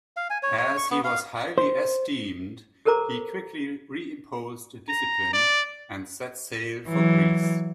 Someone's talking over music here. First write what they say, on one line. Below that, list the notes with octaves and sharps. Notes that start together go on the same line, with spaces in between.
As he was highly esteemed, he quickly reimposed discipline and set sail for Greece.
F5
G#5
C#5
C#5
C#6
B3
F5
C5
G4 A4 A#4 C5 A#5 D6
A#5
D5
E3 F#3